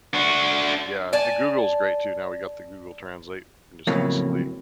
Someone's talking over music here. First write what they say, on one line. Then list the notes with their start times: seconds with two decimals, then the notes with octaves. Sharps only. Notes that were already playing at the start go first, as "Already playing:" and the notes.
Yeah, and Google's great, too, now we got the Google Translate, we can just instantly
0.14 D4 F#4
1.13 D5 G#5 A5
3.87 F2 A2 C#3 F#3 A#3